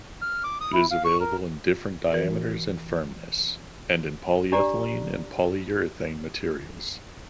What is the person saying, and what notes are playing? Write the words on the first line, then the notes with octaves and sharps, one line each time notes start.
It is available in different diameters and firmness, and in polyethylene and polyurethane materials.
F6
D6
D#6
E4
F5
C#6
A#4
E3 F#4 A#4
D4 G4 D5 A#5